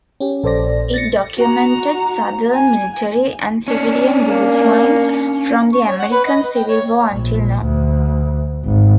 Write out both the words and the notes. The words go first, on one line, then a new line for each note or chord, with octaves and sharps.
It documented Southern military and civilian viewpoints from the American Civil War until now.
C#4 G4
A#1 A4 C5 D5 A#6
A6 A#6 C#7
F#4 A#5
G#5
C#4 D4
A#3
C#6
C#5
F#5
B4
D#5
B4
G5
C#5
A#1
D2
G#1